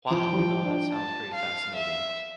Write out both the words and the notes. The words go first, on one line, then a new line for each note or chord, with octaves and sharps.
Wow. No, that sounds pretty fascinating.
F3 G5
G3
F3
D4
A5
F5
E5